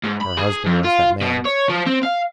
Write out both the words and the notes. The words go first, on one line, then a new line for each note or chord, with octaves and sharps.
Her husband was that man.
G#2
B5
G#4
F2
F4
B2
C#5
F3
C4
F5